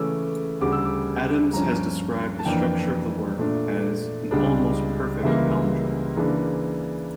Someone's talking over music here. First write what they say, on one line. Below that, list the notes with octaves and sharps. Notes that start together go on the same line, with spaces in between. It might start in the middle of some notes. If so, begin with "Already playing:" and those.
Adams has described the structure of the work as an "almost perfect palindrome".
Already playing: C#3 E3 A3 C#4 D6 E6
D2 C#3 G3 D6
E6
D6
G2 F3 C#4 A#5
A5
F2 E3 A#3 D4 G5
A#2 A3 D4
C#2 C#3 G3 D4
C#2 C#3 E3 G3 A#3 E5
C#3 E3 A#3 D4